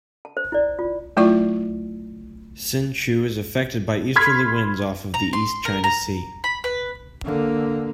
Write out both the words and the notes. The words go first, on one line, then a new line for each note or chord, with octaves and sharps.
Hsinchu is affected by easterly winds off of the East China Sea.
A5
C5
E4 D5
F4
F#3 A3 E4 F4 D5 C#6
B5 C6 F6 G#6 B6
A#5
C6
A#4
A#5
B5
B4
D3 A#3